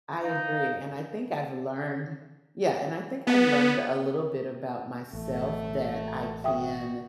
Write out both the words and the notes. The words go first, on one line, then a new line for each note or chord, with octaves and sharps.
I agree, and I think I've learned Yeah, and I think I've learned a little bit about myself that I can,
D#4 F5
B3
A1 A3
F#4 E5 G5 D#6